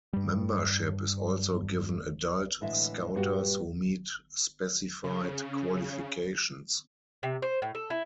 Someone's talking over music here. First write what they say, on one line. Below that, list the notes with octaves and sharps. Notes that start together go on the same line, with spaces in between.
Membership is also given adult Scouters who meet specified qualifications.
G2 G3
A2 D3 E3 G#3 E5
G2 A#2 G3 D4 F#4 G4
C#3
C3
C5
A2
A4
E4